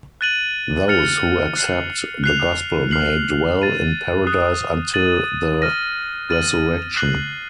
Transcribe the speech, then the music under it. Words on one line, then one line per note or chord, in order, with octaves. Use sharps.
Those who accept the gospel may dwell in paradise until the resurrection.
F#6 A6 D#7 F#7
F6 A6 C#7 F7
F#6 C7 F#7
F#6 C7 F7
F6 C7 F#7
A6 D#7 F#7
D#6 F#6 C7
A6 D#7 F#7
F6 A#6 D#7
F6 A6 D#7 F#7
F#6 C7 F#7